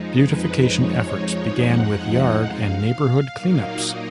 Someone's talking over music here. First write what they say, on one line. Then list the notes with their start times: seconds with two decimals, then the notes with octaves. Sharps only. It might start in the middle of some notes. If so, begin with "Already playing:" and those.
Beautification efforts began with yard and neighborhood cleanups.
Already playing: F2 F3 G#3 D#4
0.18 B4
0.63 C#5
1.52 F#5
2.43 F5
3.31 A#2 F#3 A#3 D#4 F5
3.76 D#5